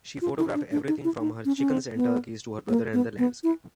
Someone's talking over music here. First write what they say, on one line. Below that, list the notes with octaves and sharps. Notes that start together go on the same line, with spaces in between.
She photographed everything from her chickens and turkeys to her brother and the landscape.
F4
E4
D4
D4
D#4
E4
D#4
C#4
C#4
C4
B3
A#3
B3
B3
E4